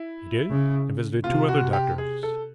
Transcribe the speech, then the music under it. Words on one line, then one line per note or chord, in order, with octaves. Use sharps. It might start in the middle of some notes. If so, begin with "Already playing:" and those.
He did, and visited two other doctors.
Already playing: E4
C#3
C3 F4
F#4
G4
G#4
A4